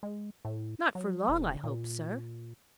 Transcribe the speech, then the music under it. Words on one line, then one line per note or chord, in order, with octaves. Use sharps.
"Not for long, I hope, sir."
G#3
A2
F#3
E1
A#2